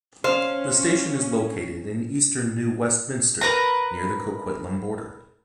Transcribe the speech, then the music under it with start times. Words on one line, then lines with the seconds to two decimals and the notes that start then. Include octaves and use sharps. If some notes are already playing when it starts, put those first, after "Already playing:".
The station is located in eastern New Westminster, near the Coquitlam border.
0.24 C#4 C5 F5
3.41 A#4 B4 A#5